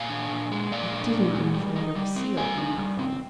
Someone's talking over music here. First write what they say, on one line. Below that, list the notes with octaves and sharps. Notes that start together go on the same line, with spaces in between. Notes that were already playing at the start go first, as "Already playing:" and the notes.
"I did not know the letter was sealed," remarked Roland.
Already playing: A#2 F5 G#5
D4
A#2
G#3
A#2 D5 F5
D4
A#2
G#3
G3
D#4
G3
C4
G3 F5 G#5
D#4
G3
C4